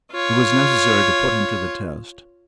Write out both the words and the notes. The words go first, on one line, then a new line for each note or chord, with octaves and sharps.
It was necessary to put him to the test.
F4 C#5